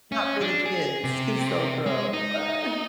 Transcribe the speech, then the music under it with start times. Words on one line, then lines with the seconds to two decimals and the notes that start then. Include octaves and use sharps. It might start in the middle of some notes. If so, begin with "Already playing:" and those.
Not for the kids, 'cause they'll grow, uh.
0.12 C#4
0.41 D4
0.66 G#4
1.04 C3
1.86 G#3
2.13 D#4